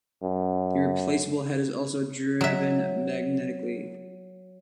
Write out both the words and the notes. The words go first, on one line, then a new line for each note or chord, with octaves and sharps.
The replaceable head is also driven magnetically.
F#2
F#3 E5